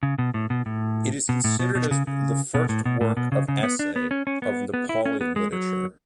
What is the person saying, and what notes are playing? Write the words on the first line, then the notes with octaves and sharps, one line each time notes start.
It is considered as the first work of essay of Nepali literature.
C#3
B2
A2
B2
A2
B2
A2
B2
B2
C#3
C#3
B2
A2
B2
A2
B2
C#3
C#3
B3
D4
B3
C#4
C#4
B3
B3
E4
C#4
B3
G#3
F#3